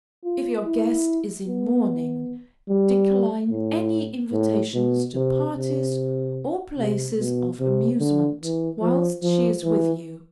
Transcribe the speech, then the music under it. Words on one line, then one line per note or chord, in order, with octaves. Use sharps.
If your guest is in mourning, decline any invitations to parties or places of amusement whilst she is with you.
F4
E4
B3
G3
A2
A2
B2
C3
C3
C3
B2
C3
D3
E3
F3
F3
E3